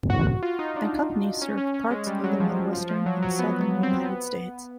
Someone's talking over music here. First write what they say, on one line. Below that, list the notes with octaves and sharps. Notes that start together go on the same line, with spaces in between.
The company served parts of the Midwestern and Southern United States.
F#4
F#4
F4
D#4
D4
C#4
C#4
C#4
G#3
G3
F#3
F3
F#3
F3
F3
F#3
F#3
B3
B3
C4
B3